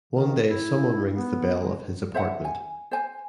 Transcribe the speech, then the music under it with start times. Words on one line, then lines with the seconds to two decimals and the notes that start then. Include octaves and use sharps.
One day someone rings the bell of his apartment.
0.13 D#3
0.49 E4
1.14 B3
1.61 G#3
2.14 C5 E5 F#5
2.45 G#5
2.91 C5 G#5